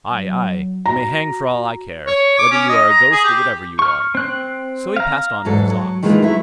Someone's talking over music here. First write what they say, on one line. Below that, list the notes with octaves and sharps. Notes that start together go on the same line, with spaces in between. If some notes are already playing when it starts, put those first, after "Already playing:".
Aye, aye! you may hang for all I care, whether you are a ghost or whatever you are.' So he passed on with his ox.
F#3
F#4 A#5
C#5
D6
C#4
D#5
A#5
G#4
G4
C#6 F6
C4 F#6
F5 A#5
E2 G#2 F#3 A4
F#3
D#3 E3 G#3 A#3 F4 G#4
F#3 A3 E4